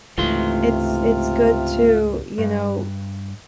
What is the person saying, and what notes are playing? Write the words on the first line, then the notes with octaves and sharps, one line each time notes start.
it's it's good to, you know,
C#2 G#2 C3 E3 A3 F4 C6
G2